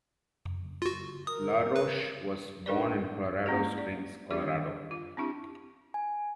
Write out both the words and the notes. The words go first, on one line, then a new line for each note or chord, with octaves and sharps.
LaRoche was born in Colorado Springs, Colorado.
F4 F#4
A#4 D#6
B4
D4 D#4 G4 A#4 B4 D5
G#3 A#3 C#4 E4 G4 G#4
D5
G3 D4 F4 G4 D5
F4
C4 D4 E4 G4
G#5